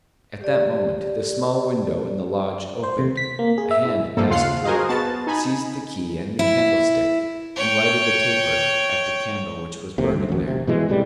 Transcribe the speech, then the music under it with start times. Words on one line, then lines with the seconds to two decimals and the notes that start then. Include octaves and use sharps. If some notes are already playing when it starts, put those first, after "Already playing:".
At that moment the small window in the lodge opened, a hand passed through, seized the key and the candlestick, and lighted the taper at the candle which was burning there.
0.41 G4 D5
2.84 C5
2.99 C3
3.17 B6
3.39 A#3
3.58 G#4
3.71 E5
3.85 E4
4.17 G2 F3 A#3 A4
4.29 D#2 C#3 F4 F5 F#5 C7
4.64 F#4 G#4 A#4 C5 D#5 F5
4.89 B3 F#4 A5 A6
5.27 D#4 G#5 B5
6.39 E4
7.56 C#5 G5
9.98 F1 D#2 C3
10.13 D2
10.29 A1 F#2
10.47 F1 C3
10.67 B2 E3 G#3
10.89 C#2 A2 C3 G3